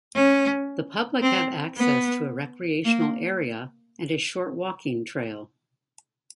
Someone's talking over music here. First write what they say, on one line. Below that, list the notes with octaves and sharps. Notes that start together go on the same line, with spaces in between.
The public have access to a recreational area and a short walking trail.
C#4
C4
B3
A#3